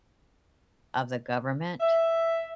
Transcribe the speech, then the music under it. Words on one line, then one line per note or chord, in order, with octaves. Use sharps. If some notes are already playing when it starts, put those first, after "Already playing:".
of the government
E5